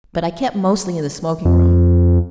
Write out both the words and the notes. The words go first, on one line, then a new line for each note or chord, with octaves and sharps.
But I kept mostly in the smoking-room.
F2